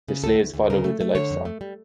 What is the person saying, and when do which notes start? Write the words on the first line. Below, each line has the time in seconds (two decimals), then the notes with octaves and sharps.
The slaves followed with the livestock.
0.08 C#3
0.24 D2 A4
0.39 D2
0.54 D2
0.70 C#3 A#4
0.84 A3
1.00 A3
1.15 D3 C#5
1.31 F2
1.45 A3
1.61 G3